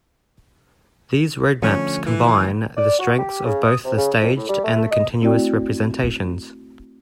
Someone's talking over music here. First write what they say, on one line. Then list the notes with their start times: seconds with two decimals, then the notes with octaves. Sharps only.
These roadmaps combine the strengths of both the staged and the continuous representations.
1.62 D3 F3 A3 C#4
2.05 E3
2.77 D5
2.99 F#4
3.18 G4
3.45 C#3
3.64 D#6
3.85 C3
3.96 C#3
4.21 F2
4.36 A2
4.49 G3
4.64 A3
4.91 D#5
5.21 A3 C4 E4 F#4 D5 G5